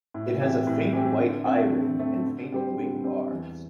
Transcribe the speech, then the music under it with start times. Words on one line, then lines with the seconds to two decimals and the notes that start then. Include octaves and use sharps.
It has a faint white eye ring and faint wing bars.
0.14 A2
0.41 E3 C4 G4
0.67 A2
0.93 E3 C4 G4
1.20 D3
1.46 A3 C4
1.73 D3
1.99 A3 C4
2.25 D3
2.52 G3 C4 G4 C5
2.78 D3
3.04 G3 C4 G4 C5
3.30 E2